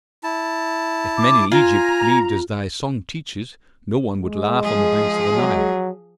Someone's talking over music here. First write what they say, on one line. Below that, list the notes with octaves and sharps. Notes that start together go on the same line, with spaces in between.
If men in Egypt believed as thy song teaches, no one would laugh on the banks of the Nile.
E4 A5
D6
F4 G#5 A#5
G#3
F3 G#4
F#3